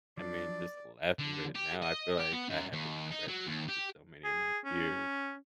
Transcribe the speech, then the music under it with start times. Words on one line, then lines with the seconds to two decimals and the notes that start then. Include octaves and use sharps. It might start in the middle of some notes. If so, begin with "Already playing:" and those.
I mean, just laughing right now, I feel like I have expressed this to so many of my peers,
0.17 F3 F#3 D4 D5
1.19 D3
1.56 G4
1.83 D#5
2.19 G4
2.32 B3
2.49 F#2
2.73 D#2
3.12 D#4
3.28 F#3
3.47 D#2
3.69 G4
4.24 G#4
4.65 C#4